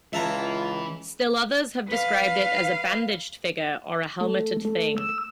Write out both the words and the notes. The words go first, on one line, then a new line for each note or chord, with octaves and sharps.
Still others have described it as a bandaged figure or as a helmeted thing.
C#2 E3 F4 E5 A5 A#5
B4 F5
A3
A3
E6